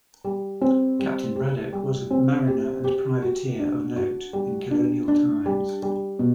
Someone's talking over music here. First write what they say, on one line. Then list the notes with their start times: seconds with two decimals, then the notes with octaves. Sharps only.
Captain Braddock was a mariner and privateer of note in Colonial times.
0.24 G3
0.61 C4
0.99 G3
1.36 G4
1.73 G3
2.11 C4
2.47 G4
2.84 G4
3.22 F#4
3.59 D4
3.96 F#4
4.33 G3
4.71 D4
5.08 D4
5.46 G3
5.83 G3
6.19 B2